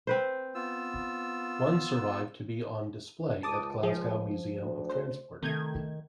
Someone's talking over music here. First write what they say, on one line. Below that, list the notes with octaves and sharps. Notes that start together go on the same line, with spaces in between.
One survived to be on display at Glasgow Museum of Transport.
C4 B4 C5
B3 F4 E6
C#2 A5 D6 D#6
F3 G#4
D2
C5
C3 D#3 A3 G6 G#6